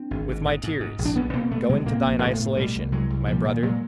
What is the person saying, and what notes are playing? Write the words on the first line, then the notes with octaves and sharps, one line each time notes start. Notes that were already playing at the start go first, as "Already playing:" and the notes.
With my tears, go into thine isolation, my brother.
Already playing: C4 D4
G#1
G#2
G#2
G#2
G#2
A#1
D4
B1 B3 C#4
B2 A#3 C4
B2 A3 B3
B2 G#3 A#3
A2 A#3 C4
A#1
A2 A3 B3
A2
B2 G3 A3
C2
C2 F#3 G#3
C2
A#2 F3 G3
A#2 D#3
A#2 F#3 G#3